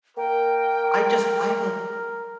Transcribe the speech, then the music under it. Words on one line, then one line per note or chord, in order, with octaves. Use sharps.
I just I have a
A#3 A#4 G5